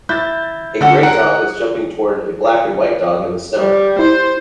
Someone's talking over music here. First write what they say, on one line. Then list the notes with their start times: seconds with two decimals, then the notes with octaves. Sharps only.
A gray dog is jumping toward a black and white dog in the snow.
0.09 E4 G6 A6
0.81 D3 C#4 A4 F#5
1.03 A#4 F#5
3.57 G3
3.99 E4 C5